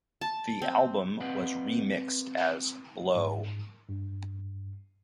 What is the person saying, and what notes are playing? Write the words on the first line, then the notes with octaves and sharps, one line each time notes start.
The album was remixed as Blow.
A5
C4
C4 B4 D5 D#5 F5 F#5
G#2
G2